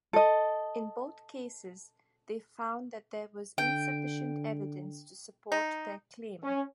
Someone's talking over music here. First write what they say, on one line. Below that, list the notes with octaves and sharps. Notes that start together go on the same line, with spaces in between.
In both cases, they found that there was insufficient evidence to support their claim.
A4 D#5
D3 G5
D#4
C#4